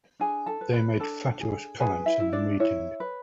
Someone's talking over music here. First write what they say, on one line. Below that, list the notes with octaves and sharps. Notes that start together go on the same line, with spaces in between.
They made fatuous comments in the meeting.
D4 G#4 G#5
A4 A5
B4
B4 B5
D4 A4 A5
G#4
G#4 B4 G#5
E4 E5
E4
D4 D5
E4 C#5
B4